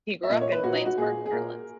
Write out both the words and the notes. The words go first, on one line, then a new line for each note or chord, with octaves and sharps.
He grew up in Bladensburg, Maryland.
E5
A#2 D#5
C#5
B4
A#2 F#4
D#4
F#4
A#2 G#4
G#4
A#2 A#4